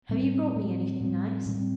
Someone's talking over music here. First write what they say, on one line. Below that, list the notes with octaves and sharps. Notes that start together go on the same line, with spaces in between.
Have you brought me anything nice?'
A2 G3 C4
A2 G3 C4
A2 G3 C4
A2 G3 C4